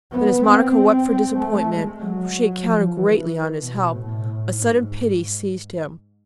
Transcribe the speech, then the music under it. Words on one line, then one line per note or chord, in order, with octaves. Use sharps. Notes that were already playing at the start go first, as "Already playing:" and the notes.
Then, as Monica wept for disappointment--for she had counted greatly on his help--a sudden pity seized him.
B3
C4
A3
G#3
F#3
F3
E3
B2
A2
G#2